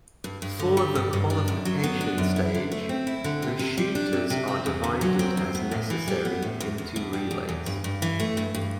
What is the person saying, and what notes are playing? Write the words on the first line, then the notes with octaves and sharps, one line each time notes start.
For the qualification stage, the shooters are divided as necessary into relays.
G2
G2
D3
G3
G2
G2
D4
F#2
F#3
B3
D4
F#2
E4
D3
A3
C4
E4
D3
C3
C3
G3
D4
C3
C3
C4
E2
D3
F#3
C4
E2
B3
A2
E3
G3
B3
A2
E2
E2
B2
G3
E2
E2
G2
G2
E3
A3
G2
G2